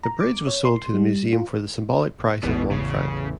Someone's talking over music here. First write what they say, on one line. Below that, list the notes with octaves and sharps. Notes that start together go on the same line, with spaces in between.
The bridge was sold to the museum for the symbolic price of one Franc.
A#5
D6
C#5
C6
G3
F4
A1 E2 B2
C#3